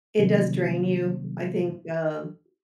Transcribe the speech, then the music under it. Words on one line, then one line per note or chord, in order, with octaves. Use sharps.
It does drain you, I think, um,
C3 D#3 F#3 G3 A#3 C#4